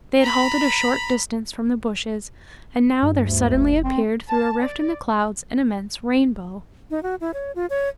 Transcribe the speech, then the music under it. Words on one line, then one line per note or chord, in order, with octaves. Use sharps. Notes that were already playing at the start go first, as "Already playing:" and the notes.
They had halted a short distance from the bushes and now there suddenly appeared through a rift in the clouds an immense Rainbow.
A#5 B5
G2
D2
F#1
C4
A5
D5
D#4
F#4
E4
C#5
F4
C#5